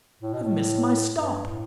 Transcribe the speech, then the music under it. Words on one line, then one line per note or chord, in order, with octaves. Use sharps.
I've missed my stop.
A2
B2
A2
G2
A2